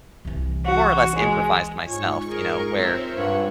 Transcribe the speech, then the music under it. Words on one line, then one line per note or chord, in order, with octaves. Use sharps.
more or less improvised myself, you know, where
C2 E3
F#4
G#3
G#2 F4 C#5 G#5 C#6
G#4 A#4
C4 A#4 C5 C#5 E5
G2 G3 C#5 F#5